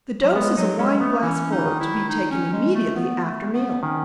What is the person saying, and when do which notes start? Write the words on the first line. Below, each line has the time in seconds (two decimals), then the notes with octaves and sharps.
The dose is a wine-glassful, to be taken immediately after meals.
0.23 F#3
0.36 G#3 B3
0.57 F#3 D#4
0.79 G#3 C#4
1.01 A3 B3
1.22 E3 C#4
1.52 D#4
1.59 E3
1.66 D#3
1.80 E4
2.09 D#4
2.31 C#4
2.53 G#3
2.75 A3
2.96 B3
3.24 A3
3.54 B3
3.82 D#3 C#4